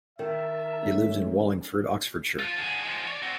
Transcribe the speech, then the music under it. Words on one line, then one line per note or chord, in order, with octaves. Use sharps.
He lived in Wallingford, Oxfordshire.
D#3 A#4 E5 A5
G#3 A3 C#4
F3 F4
D3 G#4
F3 G#3
C#5 D5
C4 F#4